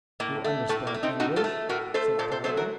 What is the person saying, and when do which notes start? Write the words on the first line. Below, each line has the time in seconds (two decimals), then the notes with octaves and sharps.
"You understand English?" said Calder.
0.20 A2 A#3
0.44 A3
0.69 A2 A3
0.87 A#3
0.94 A3
1.03 C4 D#4
1.20 A2 D#4 F#4
1.36 F4 A4
1.44 A3
1.69 A2 F#4 A#4
1.94 A3 A4 C5
2.19 A#2 A4 C5
2.31 A4 C5
2.44 F#3 A3 A4 C5
2.57 F#4 A#4